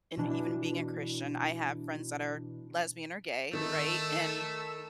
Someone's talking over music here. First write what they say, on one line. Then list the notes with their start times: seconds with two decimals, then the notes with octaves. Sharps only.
and even being a Christian, I have friends that are lesbian or gay, right? And,
0.17 B2 E3 D4 E4
3.53 D#3 A3 A4 E6